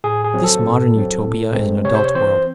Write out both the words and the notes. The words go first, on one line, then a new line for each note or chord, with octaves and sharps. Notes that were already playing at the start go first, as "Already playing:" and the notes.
This modern Utopia is an adult world.
A2 G#4
G#4
F#3 C4
A4
A2
F#3 C4
A2
G#3 C4
C3 C#5
C5
C#5
E3 C4 C5